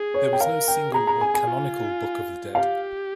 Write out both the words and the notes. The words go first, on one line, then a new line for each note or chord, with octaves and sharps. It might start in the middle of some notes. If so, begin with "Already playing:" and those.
There was no single or canonical "Book of the Dead".
Already playing: G#4
C#5
G5
A#4 F5
G5
G#4 A#5
A#5
G#5
G#5
F4
G4 F5